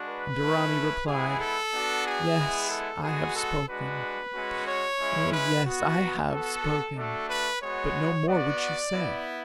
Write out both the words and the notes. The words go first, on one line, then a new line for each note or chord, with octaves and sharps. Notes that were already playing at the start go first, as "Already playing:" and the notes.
And Dorani replied: 'Yes, I have spoken; oh, yes, I have spoken!' But no more would she say.
Already playing: G#3 D4 F#4
B4
A3 C#4 E4
G#3 B3 E4 G#4
A4
B3 D4 F#4
G#4
G#3 B3 E4
A4
G#3 B3 F#4 G#4
A4
G#3 D4 F#4 B4
G#3 C#4 F#4
C#5
G#3 C#4 E4
B4
B3 F#4
B3 F#4 A4
A3 D4 F#4 A4
B4
G#3 B3 F#4 C#5
B3 F#4 D5
B3 E4